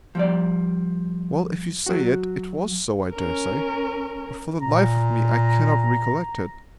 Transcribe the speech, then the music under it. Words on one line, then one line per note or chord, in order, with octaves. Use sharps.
Well, if you say it, it was so, I dare say--but for the life of me, I cannot recollect it.
F3 G3 D5
F#3 F#4
C#4 A#4
A#2 A#5